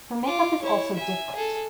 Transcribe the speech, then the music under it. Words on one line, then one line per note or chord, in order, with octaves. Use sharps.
Her makeup is also different.
F4 D6
E4 C#5
E5 G#5
G#4 A4